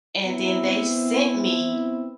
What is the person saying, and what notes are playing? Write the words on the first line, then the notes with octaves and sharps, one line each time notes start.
and then they sent me,
B3 C4 E4